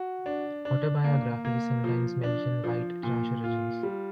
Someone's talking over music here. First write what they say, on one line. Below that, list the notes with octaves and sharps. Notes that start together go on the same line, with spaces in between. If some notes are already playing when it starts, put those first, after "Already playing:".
Autobiographies sometimes mention white trash origins.
Already playing: F#4
D4
D4
A#3
A#3
F3
D4
F3
A#2
F4
G3